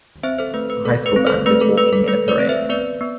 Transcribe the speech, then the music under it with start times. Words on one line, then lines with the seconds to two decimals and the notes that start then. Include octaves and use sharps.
A high school band is walking in a parade.
0.23 C4 C5 E5
0.38 A4 C5
0.54 A3 B4
0.70 B4
0.85 A3 A4
1.06 B4
1.16 C4
1.27 A4 C5
1.46 A3 B4
1.61 A4
1.78 A3 B4
1.93 A4
2.08 A3 B4
2.28 B4 D5
2.39 C4
2.49 C5 E5
2.69 B3 B4 D5
3.01 B3